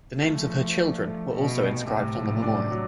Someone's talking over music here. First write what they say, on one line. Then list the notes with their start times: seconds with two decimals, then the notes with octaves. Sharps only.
The names of her children were also inscribed on the memorial.
0.22 F3 A3
0.50 A3
0.77 D4
1.05 A3
1.32 B2 A3
1.60 C3
1.87 A2 C3
2.15 F3
2.43 D4
2.71 F#3